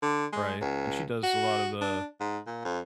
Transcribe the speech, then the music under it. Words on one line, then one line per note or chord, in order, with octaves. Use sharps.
Right. And she does a lot of the
D3
G#3
C#2
F#4
D4
G#2
A#2
F2